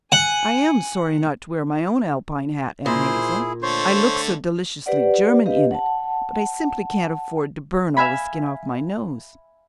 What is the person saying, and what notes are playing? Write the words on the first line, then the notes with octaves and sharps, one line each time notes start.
'I am sorry not to wear my own Alpine hat, Aunt Hazel; I look so deliciously German in it, but I simply can't afford to burn all the skin off my nose.'
F#5 G#5
A#2 E4 G#4 C5
D3 A3 C5 C#5 C6
G4 B4 C5 D5 F#5
G4 B4 D#5 F5
F#5 A5
E5 F5 G#5 B5